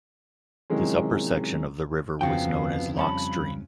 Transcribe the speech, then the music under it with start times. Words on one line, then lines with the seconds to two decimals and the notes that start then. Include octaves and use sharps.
This upper section of the river was known as Lock Stream.
0.70 C3 D#3 E3 F#3 G#3 C#4
2.21 F2 C#3 B3 F#4 F5 G5
2.97 G2 C#4 A5 B5